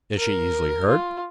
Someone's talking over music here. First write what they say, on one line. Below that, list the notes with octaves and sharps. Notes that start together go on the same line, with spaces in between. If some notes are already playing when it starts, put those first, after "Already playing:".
Is she easily hurt?
A#4
F4